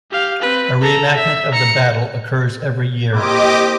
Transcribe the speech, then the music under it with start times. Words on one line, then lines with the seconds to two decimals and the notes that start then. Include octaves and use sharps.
A reenactment of the battle occurs every year.
0.11 G4 F5
0.42 C4 B4
0.81 A4 A#5
1.16 E5
1.52 A#5 C#7
3.13 A#3 C4 E4 G4 D#5 D6